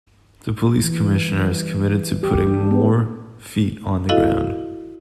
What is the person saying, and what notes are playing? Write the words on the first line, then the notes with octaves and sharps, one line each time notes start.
The police commissioner has committed to putting more feet on the ground.
E3
G3
G4
D4
B3
E4 F#4 A4 D#5 F5